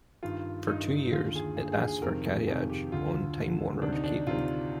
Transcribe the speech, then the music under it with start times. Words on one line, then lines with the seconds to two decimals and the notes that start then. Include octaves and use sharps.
For two years, it asked for carriage on Time Warner Cable.
0.23 G2 D#3 F4
0.67 G2 D#3 D#4
1.12 D#2 D3 F4
1.36 G#4
1.57 D#2 D3 G#4
1.72 G#4
1.88 G#4
2.02 F2 C3 D#3 A#4
2.25 G#4
2.47 F2 C3 D#3 G#4
2.69 G4
2.92 D2 D3 F4
3.37 D2 D3
3.82 D2 C3 D#3 D4
3.93 D#4
4.04 D4
4.27 D2 C3 D#3 F4